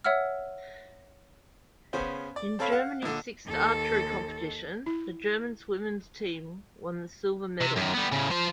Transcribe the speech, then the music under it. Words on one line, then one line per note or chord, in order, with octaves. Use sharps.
In Germany's sixth archery competition, the German women's team won the silver medal.
C#5 E5 F#5 E6 F6
C#3 B3 C#4 C5
D5
C4 A4 C#5 F5 B5
F5 F#5
A#1 D3
D#2 A4
E4
C3
F#2 D#3
G3 B3
A2 C#3
F3 C5